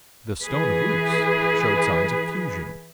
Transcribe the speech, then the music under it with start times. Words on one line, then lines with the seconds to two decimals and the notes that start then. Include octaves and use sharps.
The stone of Luce showed signs of fusion.
0.43 E3 G#4 B4